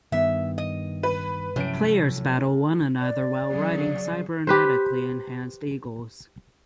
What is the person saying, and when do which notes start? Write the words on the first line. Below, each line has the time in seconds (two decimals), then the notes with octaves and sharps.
Players battle one another while riding cybernetically enhanced eagles.
0.12 G2 D#3 B3 E5
0.58 D#5
1.03 B4
1.56 A2 C3 F3 F#3 C#4 D7
3.01 D5
3.50 C#3 F#3 G#4
4.47 G4 B4 C5